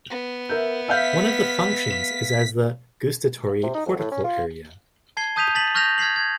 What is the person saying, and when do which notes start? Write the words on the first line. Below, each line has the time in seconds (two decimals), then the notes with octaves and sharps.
One of the functions is as the "gustatory cortical area".
0.10 B3
0.49 A#4 E5 G6
0.88 E5 F5 G6 B6
3.63 C3
3.74 D#4
3.86 F2
3.99 A2
4.12 C#4
4.24 F4
5.17 A5 G#6 C7 G7
5.36 A5 D#6 G6 B6 D#7 F7
5.55 A5 A6 B6 F#7
5.75 C#6 F6 G6 A#6 B6 F7
5.98 F6 G#6 B6 C7 F#7
6.16 G#6